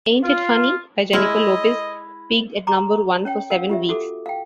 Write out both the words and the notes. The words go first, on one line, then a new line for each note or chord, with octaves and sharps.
"Ain't It Funny" by Jennifer Lopez peaked at number one for seven weeks.
F4
G#3 E4 D#5 F6
A#5 C6 D6
C#4 C#5 G5
A#4 F5 F#5
F4 G4 E5
F#4 A4 D6
F5 G5